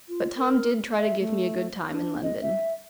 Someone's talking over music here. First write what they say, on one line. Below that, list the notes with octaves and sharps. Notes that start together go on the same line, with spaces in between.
But Tom did try to give me a good time in London.
F4
A#4
E5
A3
D4
D#5
E5